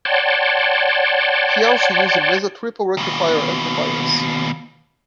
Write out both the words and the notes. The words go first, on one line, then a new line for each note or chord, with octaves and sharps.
He also uses Mesa Triple Rectifier amplifiers.
C#5 D5 F#5 G5 A5 C6
D#2 B2